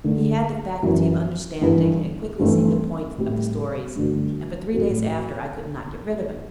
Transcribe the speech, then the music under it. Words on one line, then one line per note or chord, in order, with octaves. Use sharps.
He had the faculty of understanding and quickly seeing the point of the stories; and for three days after I could not get rid of him.
D3 A3 D4
F#2 E3 B3 E4
G2 E3 B3 E4
G2 E3 A3 C4
A2 G3 C4
G2 D3 A3 D4 F#4
A2 F#3 A3 C4 F#4